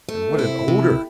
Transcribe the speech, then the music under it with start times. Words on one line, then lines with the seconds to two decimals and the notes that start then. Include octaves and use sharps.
And what an odour!
0.09 A3
0.38 C3 E4
0.68 C3